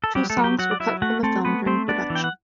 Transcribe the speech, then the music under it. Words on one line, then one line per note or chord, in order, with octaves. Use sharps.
Two songs were cut from the film during production.
A4
F#3 G3 G4
A3 A4
F#3
G4 G5
F#3 F#4 F#5
D5
F#3 E4 E5
A3 F#4 F#5
A3 C4 A4
A3 B3 B4
A3 C4 C5
B3 D4 D5
E3
G5
F#5